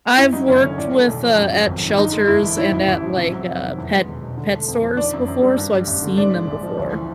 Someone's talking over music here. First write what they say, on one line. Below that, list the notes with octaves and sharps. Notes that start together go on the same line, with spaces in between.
I've worked with, uh, at shelters and at, like, uh, pet pet stores before, so I've seen them before.
F#2 E4
F#3 D#4
F#1 C#4
D3 C#4
A2 D4
A3
B1
F3
F#2
F#3
G#1
D#3
G2 D#4
G#3
G1 E4
E3
G#2 E4
A1
A1
F3
C3
F#3
F2
D#3
E2
G#3
E1
B2
D3
A3
F2
F3
D#3 D4
F#2
F#2
G3
G2
G3
A1
D3
G#2 D4
G#3
A#1
F3
D2
E3